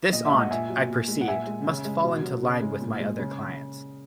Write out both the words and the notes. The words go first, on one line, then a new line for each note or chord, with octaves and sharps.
This aunt, I perceived, must fall into line with my other clients.
A#2 D#5
E5
G#3
D#5 F#5
A#2 E5 G#5
F#3
A#2
G#3
F#5
A#2 E5 G#5
G#3
C#3
G#3
B2
F#3
C#3
G#3
A#2
G#3
C#3